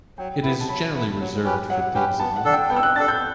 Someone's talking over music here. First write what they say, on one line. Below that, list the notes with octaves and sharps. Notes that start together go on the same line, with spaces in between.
It is generally reserved for themes of love.
F#3 G5
B3 E4
A5
F#3 B5
B3 E4
F#3
C#4 G4 B4
F#3 F#5
C#4 G4 B4 G5
B3 A5
F#5
D4 A4
G5
B3 G5
E6
F#6
D4 A4 A6
G6